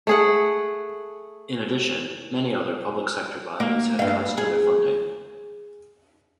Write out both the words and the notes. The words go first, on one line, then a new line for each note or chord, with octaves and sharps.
In addition many other public sector bodies had cuts to their funding.
A3 G#4 F#5
A#3
G2 F5
G#4